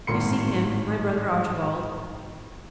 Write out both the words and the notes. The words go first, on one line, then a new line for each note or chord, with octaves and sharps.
"You see him--my brother Archibald?"
G#1 A2 C6 C#7